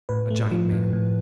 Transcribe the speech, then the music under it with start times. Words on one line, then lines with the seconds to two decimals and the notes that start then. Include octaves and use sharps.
A giant man.
0.09 A2 B4
0.30 A3
0.51 F3
0.73 A2
0.93 A2